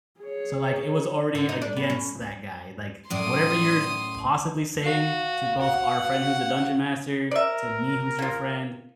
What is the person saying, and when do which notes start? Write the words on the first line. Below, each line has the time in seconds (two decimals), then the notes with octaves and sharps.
So, like, it was already against that guy, like, "Whatever you're possibly saying to both our friend who's a dungeon master, to me who's your friend,
0.20 G#4 C#5
1.35 D3
1.49 D#4
1.62 D4
1.76 B3
1.90 C#4
3.10 F#2 A2 D5 C6 D#6
4.84 F#4 F5
5.62 F#4 F#5
7.31 A#4 D5 E5
8.19 A#3 F4